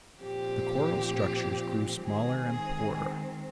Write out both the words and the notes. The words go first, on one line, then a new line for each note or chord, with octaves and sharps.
The coral structures grew smaller and poorer.
A#2 F3 C4 G4
D#3 G#3 C4 G#4
G#4